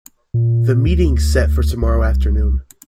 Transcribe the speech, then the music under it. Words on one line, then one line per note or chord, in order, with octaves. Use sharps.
The meeting's set for tomorrow afternoon.
A#2
D2
C2